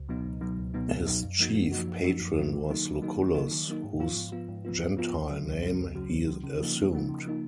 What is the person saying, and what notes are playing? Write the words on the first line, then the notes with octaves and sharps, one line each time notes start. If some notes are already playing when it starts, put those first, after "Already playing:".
His chief patron was Lucullus, whose gentile name he assumed.
Already playing: C#2
B2 F#3 B3 D#4
C#2
B2 F#3 B3 D#4
C#2
B2 F#3 B3 D#4
C#2
B2 F#3 B3 D#4
F#2
F3 A#3 D#4 F#4
F#2
F3 A#3 D#4 F#4
F#2
F3 A#3 D#4 F#4
F#2
F3 A#3 D#4 F#4
D#3
F#3 A#3 D#4
D#3
F#3 A#3 D#4
D#3
F#3 A#3 D#4
D#3
F#3 A#3 D#4
G#2
F3 B3 F4
G#2
F3 B3 F4
G#2
F3 B3 F4
G#2
F3 B3 F4
C#2
C#3 F#3
C#2
C#3 F#3
C#2
C#3 F#3
C#2
C#3 F#3
C#3
F3 A#3 D#4
C#3
F3 A#3 D#4
C#3
F3 A#3 D#4